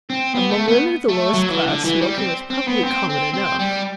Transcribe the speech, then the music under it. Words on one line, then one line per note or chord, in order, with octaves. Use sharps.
Among women of the lowest class smoking was probably common enough.
C4
B3
A3
B3
A3
F#3
E3
D3
E3
G3
C4
C4
B3
C4
C4
C4
G3